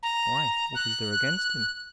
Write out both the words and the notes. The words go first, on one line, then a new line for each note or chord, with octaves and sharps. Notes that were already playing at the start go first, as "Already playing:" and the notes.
"Why, what is there against him?"
A#5
F#6